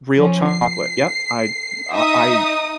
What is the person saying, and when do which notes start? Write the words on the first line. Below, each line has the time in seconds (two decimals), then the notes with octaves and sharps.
real chocolate. Yep. I I I
0.16 F3 C#4
0.48 C7
1.93 D#4 E5 D#6